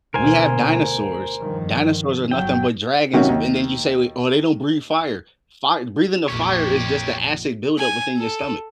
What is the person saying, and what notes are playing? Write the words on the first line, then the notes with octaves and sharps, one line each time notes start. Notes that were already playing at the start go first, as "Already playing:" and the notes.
we have dinosaurs. Dinosaurs are nothing but dragons, and then you say, we "Oh, they don't breathe fire." Fire breathing the fire is just the acid buildup within your stomach.
D2 B2 A#4 C5 G#5
G2 D#3 F3
G1 F#3 G5
C3 D#3 F#3 C#4 F#4
D#2
A#1 F2 G4 C#5
G#5
A4